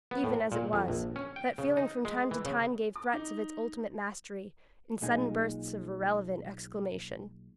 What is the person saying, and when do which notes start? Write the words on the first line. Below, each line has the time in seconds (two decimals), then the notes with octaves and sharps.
Even as it was, that feeling from time to time gave threats of its ultimate mastery, in sudden bursts of irrelevant exclamation.
0.11 B3
0.24 A2
0.52 A#2
0.73 F2
0.88 A#1
1.16 C#4
1.36 G5
1.58 C#3
1.77 D#4
2.05 G#3
2.31 E3
2.45 C#3
2.96 D6
3.13 D#4
5.01 B1 A#2 G#3 D#4 G#5